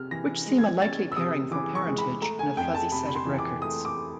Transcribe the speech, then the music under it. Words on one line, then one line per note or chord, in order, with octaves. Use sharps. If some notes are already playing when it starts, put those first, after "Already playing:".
Which seem a likely pairing for parentage, in a fuzzy set of records.
Already playing: C3 F6
E3 A#6
G#3
G#6
C#4 A6
E6
C3 D#6
E3 D6
C#6
G#3
B5
A3 A#5
G#5
F2 G5
A5
C3 B5
B5
C6
E3
D6
A3 D#6
D6